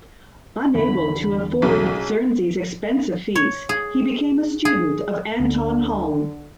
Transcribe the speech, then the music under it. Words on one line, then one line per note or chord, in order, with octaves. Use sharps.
Unable to afford Czerny's expensive fees, he became a student of Anton Halm.
E2 D3 B5
B1 C#3 F#3 F#4 G#4
C#5
G#4
G#4
D2 D3